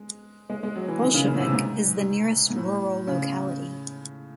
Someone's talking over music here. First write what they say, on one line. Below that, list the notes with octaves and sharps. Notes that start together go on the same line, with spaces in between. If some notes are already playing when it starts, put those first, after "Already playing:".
Bolshevik is the nearest rural locality.
Already playing: G#3
G#3
G#3
F#3
E3
D#3
C#3
C#3
A2
C3
G#2
G#2
A2
C#3